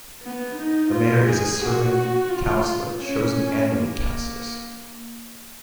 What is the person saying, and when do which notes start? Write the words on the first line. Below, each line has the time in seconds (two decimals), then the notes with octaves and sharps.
The Mayor is a serving councillor, chosen annually councillors.
0.22 B3
0.56 D#4
0.91 F4
1.26 G#4
1.61 F#4
2.31 F4
3.01 C#4
3.71 A#3